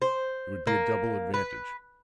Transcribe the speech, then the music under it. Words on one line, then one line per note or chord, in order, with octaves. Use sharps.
It would be a double advantage.
C5
A#3
B4